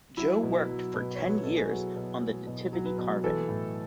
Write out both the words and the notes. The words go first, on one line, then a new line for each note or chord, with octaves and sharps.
Joe worked for ten years on the Nativity carving.
F#3 E4
B2
F#3
B2
F#3 C#5
B4
B2 A4
G#4
F#3 F#4
B2
F#3
B2
F#3
B4
B2
E3 A4
A2